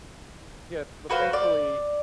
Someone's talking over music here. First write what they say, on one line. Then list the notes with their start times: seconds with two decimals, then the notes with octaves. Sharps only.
Yeah, but, thankfully,
1.10 F#4 B4 C5 F5
1.33 D5